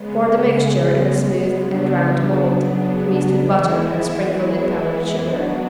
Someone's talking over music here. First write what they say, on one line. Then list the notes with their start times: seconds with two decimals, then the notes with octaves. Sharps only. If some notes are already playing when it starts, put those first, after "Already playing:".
Pour the mixture in a smooth and round mold, greased with butter and sprinkled with powdered sugar.
Already playing: C#3 G#3 B3
1.62 C#3 F#3 B3 D4
3.41 E3 G#3 B3 E4
5.21 F#3 B3 D4 F#4